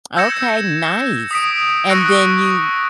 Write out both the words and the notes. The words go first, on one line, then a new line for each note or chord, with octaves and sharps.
Okay, nice, and then you
E6 G6 G#6 A#6 C#7 E7
D#6 B6 D7
C#6 E6 F#6 A#6 C#7